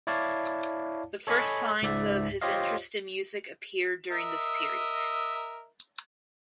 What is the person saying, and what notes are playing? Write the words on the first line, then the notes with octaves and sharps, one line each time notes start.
The first signs of his interest in music appeared during this period.
E4 C#5 D5 F5 A5
A4 C#5 D#5 G#5 B5 C#6
C#2 G#2 D5 E5
F4 G4 C5 C#5 D#5 F5
A#4 D#5 E5